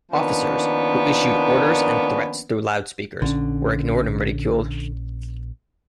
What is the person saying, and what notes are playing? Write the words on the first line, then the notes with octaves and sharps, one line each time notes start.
Officers, who issued orders and threats through loudspeakers, were ignored and ridiculed.
D#3 F3 A#3 B3 C#4 D4
A#1 D3 C#4